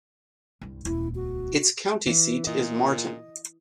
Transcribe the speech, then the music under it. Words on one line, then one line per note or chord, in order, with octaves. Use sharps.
Its county seat is Martin.
C2 G2
D#1 C#2 E4
F#4
E3
A#2 D#5